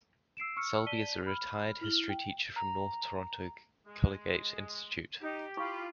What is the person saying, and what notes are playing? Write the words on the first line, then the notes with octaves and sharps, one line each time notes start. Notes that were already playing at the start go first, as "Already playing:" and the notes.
Selby is a retired history teacher from North Toronto Collegiate Institute.
E6 C7 D7 E7
C#6 E6 F6 C#7
D5 A5 B6 D#7 G7
B5 F6
E4 F6 F#7 G7
G5
A#5
G#3
D#4 G4
E4 F4 B5 C#6